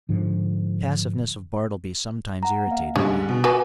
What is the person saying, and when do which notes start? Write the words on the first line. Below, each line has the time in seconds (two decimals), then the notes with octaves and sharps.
The passiveness of Bartleby sometimes irritated me.
0.09 G#2 D3 F3
2.43 F#5 A#5
2.67 A#3 F5
2.96 G#2 D3 G3 C#4 G#5
3.29 B2
3.44 F#4 B4 G#5 D6